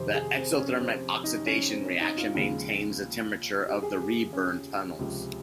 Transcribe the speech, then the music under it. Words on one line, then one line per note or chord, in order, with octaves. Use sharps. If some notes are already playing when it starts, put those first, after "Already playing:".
The exothermic oxidation reaction maintains the temperature of the reburn tunnels.
Already playing: F2 C3 D#3 C5
G#4
C4
C#4
C4
D#4
C#4
C4
C#4
D#4
F4
D#2 C#3 F3 G#3 F4
G4
G#4
G4
C#4
C#2 C3 F3